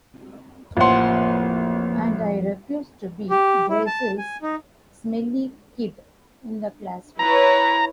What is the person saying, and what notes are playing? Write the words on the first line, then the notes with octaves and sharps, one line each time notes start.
And I refuse to be Brazil's smelly kid in the classroom.
A1 F2 A#3 F4 C5 F#5 C6
G4
E4
A5
G#5
D#4
E4 B4 C#5 A#5